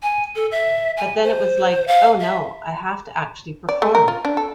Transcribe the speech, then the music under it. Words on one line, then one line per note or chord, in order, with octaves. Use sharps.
But then it was like, 'Oh no, I have to actually perform.
G#5
A4
E5
G#5
C5
F5
E5
D5
A3
A#4
F4
D4
A4